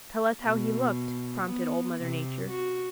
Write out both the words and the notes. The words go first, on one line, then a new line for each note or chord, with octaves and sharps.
"Tell us how he looked," prompted Old Mother Nature.
B2
B3
C3
F#4